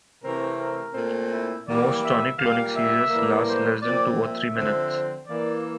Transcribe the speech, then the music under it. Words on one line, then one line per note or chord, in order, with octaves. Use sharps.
Most tonic-clonic seizures last less than two or three minutes.
C3 E3 A3 C4 A#4
A#4
A#2 A3 C4
E4
E3 G3 A#3 D5
E5
A#2 G3 A#3 F5
E5
A2 E3 G3 A#3
C5
A#2 F3 C4 D5
E5
D3 F3 C4
E3 A#3 D5